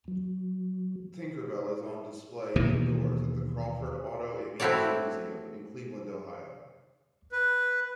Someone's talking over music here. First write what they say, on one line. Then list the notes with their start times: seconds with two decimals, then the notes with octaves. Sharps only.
"Tinkerbelle" is on display indoors at the Crawford Auto-Aviation Museum in Cleveland, Ohio.
0.08 F#3
2.56 D#2 B2 E3
4.60 A3 C4 E4 F#4 C#5 D5
7.32 B4